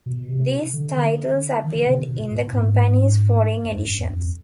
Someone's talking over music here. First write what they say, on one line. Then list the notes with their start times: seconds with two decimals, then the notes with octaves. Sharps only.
These titles appeared in the company's foreign editions.
0.06 B2
0.28 C3
0.73 D3
0.97 D3
1.64 D#3
1.75 D3
1.86 C3
2.08 B2
2.20 A#2
2.31 A2
2.53 G#2
3.65 G2
3.76 F#2
3.87 G2
3.98 F2
4.10 F2